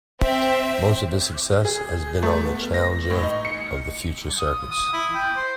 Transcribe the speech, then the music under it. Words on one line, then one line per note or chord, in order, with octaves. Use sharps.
Most of his success has been on the challenger and future circuits.
C4 E5
G#4
A3
B3
A#6
A2
D#4
C#7
D#6
D#6
E4
G5
C5